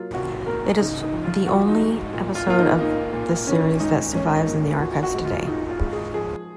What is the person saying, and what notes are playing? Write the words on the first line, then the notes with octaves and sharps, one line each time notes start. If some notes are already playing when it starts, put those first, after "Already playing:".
It is the only episode of this series that survives in the archives today.
Already playing: F#3 A#3 F4
C3 F#4
A#3 A#4
C#3 D#4
D#4
F2
F4
F2 F#4
D#4
G#3
A#2
F4
A#3 F4
D#4
A#3 D#4
A#2
D#3 C#4
G#2 D#4
G#2 C#4
D#4
A#3
A#2 F#4
F#4
G#3
F4
A#2 D#4
F4
G#3
G#4
F3 G#4